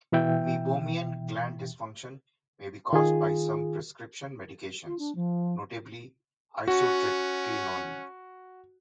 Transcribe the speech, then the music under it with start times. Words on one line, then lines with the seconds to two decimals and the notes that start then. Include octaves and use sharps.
Meibomian gland dysfunction may be caused by some prescription medications, notably isotretinoin.
0.12 B2 E3 E5 G5
2.93 D#3 F4 G#4
4.86 F4
4.98 D4
5.15 F3
6.68 C#4 F#4 F#5